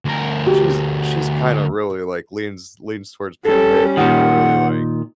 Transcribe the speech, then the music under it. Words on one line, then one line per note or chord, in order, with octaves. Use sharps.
she's, she's, kinda, really, like, leans leans towards being a hippie in a really, like,
D2 A#4
F#4 G4
G3 C#4 A4
A#2 D#3 F#5